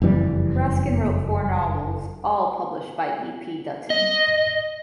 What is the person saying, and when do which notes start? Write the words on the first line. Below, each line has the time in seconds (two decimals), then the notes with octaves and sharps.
Raskin wrote four novels, all published by E. P. Dutton.
0.02 F#1 F2 E3 G3
3.90 D#5